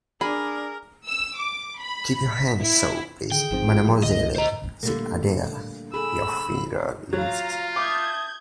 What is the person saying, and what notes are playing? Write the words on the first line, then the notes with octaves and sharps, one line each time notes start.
"Keep your hands so, please, mademoiselle," said Adele; "your fingers loose."
D4 G#4 A#4 D5 B5
E6
D6
B5
B6
E4
D3 D#3 G#4 G5
G#1 F#2 F3 C4 D#4 C5
A3 F4
F3
C#2 D3 D#5
C5 D#5 A#5
A#2 D3 G3 A3 A#3
G#4 A4 B5 E6
F#3 F4 F5 A#5
E5 A5 D6 D#6 G6 G#6